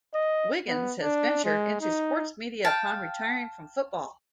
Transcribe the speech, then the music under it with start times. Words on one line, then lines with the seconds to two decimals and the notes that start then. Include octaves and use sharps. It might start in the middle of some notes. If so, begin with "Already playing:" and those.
Wiggins has ventured into sports media upon retiring from football.
0.14 D#5
0.67 B3
1.00 D4
1.45 G#3
1.81 D#4
2.65 F5 G5 A5